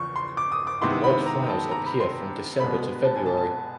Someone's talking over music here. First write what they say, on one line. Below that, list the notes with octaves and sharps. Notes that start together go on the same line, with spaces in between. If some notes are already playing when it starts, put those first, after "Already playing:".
The white flowers appear from December to February.
Already playing: E2 C#3 F3 C#6
C6
D6
D#6
D6
C3 D#3 G#3 B3 E4 C6
B5
A#5
A5
A#5
B5
C6
C2 B2 G#3 B3 B5
A5
G#5
A5
A5